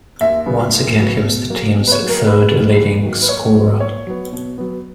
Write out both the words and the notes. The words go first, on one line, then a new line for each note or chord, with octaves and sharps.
Once again, he was the team's third-leading scorer.
D#2 E5
C#3 F#3 B3
D#2
C#3 F#3 B3
B2
F#3 A#3
B2
B4
C#5
F#3 A#3
A#4
D#2 B4
D#3 F#3 A#3
D#2
D#3 F#3 A#3
B4
A#2 C#5
F#3 B3
A#2 C#5
F#3 B3
B2
F#3 B3